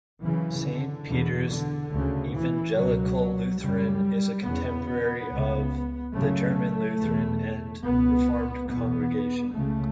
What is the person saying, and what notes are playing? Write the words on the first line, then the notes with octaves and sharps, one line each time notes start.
Saint Peter's Evangelical Lutheran is a contemporary of the "German Lutheran and Reformed Congregation".
F#2 C#3 E3
D3
E2 B2
D3
D2 C#3
E3
C#2 B2 F#3
F#2 C#3 G3
E2 C#3 B3
C#2 C#3
F#2 C#3 A3
E2 B2
C#2 B2 B3
E2 B2 B3
C#2 C#3 A3